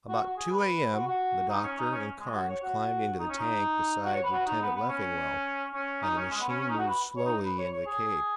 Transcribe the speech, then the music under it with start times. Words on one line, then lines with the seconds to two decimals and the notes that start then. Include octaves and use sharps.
About two A. M. the doctor and Carnes climbed into the tank beside Lieutenant Leffingwell, and the machine moved slowly into the cave.
0.08 F#4
0.22 F#4
0.37 G#4
0.51 B4
0.94 F#4
1.07 F#4
1.49 D#4
1.63 C#4
1.78 D#4
1.92 C#4
2.20 G#3
2.34 F#4
2.49 C#5
2.63 F#4
3.19 D#4
3.29 C#4
3.39 D#4
4.04 F#4
4.14 C#5
4.24 B4
4.32 F#4
4.46 D#4
4.61 B3
4.75 B3
4.89 C#4
5.74 C#4
6.02 D#4
6.17 C#4
6.31 G#3
6.40 B3
6.49 C#4
6.60 C#4
6.69 D#4
6.78 F#4
6.88 B4
7.16 C#5
7.26 D#4
7.44 B4
7.58 C#5
7.72 C#5
7.86 G#4